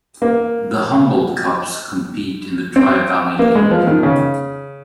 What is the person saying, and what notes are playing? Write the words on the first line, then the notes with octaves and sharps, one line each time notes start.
The Humboldt Cubs compete in the Tri-Valley League.
A#3
C4
A#3
G#3
F3
D#3
C#3